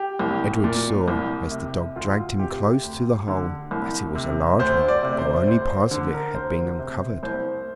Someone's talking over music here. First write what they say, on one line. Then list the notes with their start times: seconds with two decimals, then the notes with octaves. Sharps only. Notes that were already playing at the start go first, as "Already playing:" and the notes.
Edred saw, as the dog dragged him close to the hole, that it was a large one, though only part of it had been uncovered.
Already playing: G4
0.19 C2
0.64 A#2
1.08 C2
1.51 C3
1.96 D2 F4
2.39 C3 G4
2.83 D2
3.28 D3
3.71 C2
4.15 C3
4.59 D2 C5
4.88 D5
5.03 C3
5.18 C5
5.47 D2 C5
5.69 C5
5.91 D3
6.14 A#4
6.35 D2 C5
6.79 C3
7.23 C2 C5